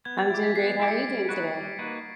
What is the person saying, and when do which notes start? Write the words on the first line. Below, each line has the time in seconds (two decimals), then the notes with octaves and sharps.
I'm doing great. How are you doing today?
0.05 B3 G#6
0.18 A6
0.30 E4 G4
0.43 B6
0.55 B3 C7
0.72 C7
0.80 E4 G4 D7
0.88 B6 C#7
1.04 G3
1.29 A#3 D#4 F#4 B4
1.54 G3
1.79 A#3 D#4 F#4 B4